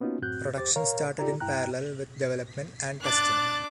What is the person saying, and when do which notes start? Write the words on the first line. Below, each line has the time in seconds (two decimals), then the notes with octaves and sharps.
Production started in parallel with development and testing.
0.01 A#3 B3 C#4 D#4 F4 F#4
0.22 F#2 A2 C4 F#4 F#6 G6
0.57 E2 G4 C5 D6 A6
0.76 A#4 C#5 F5 A#5
1.19 D#4 F4 G4 A4 D5 A#5
1.40 G2 E4 G5 A#5 F#6
3.02 D4 D6 F#6 A6